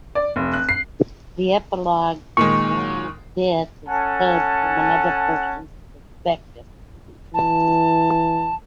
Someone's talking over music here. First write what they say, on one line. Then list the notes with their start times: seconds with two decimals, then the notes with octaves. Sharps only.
"The Epilogue: Glahn's Death" is told from another person's perspective.
0.15 D5
0.36 F1
0.53 F#6
0.69 C7
2.37 A#2 D#3 G#3 C#6
3.88 C#4 A4 F#5 G#5 A5
7.34 E3 A5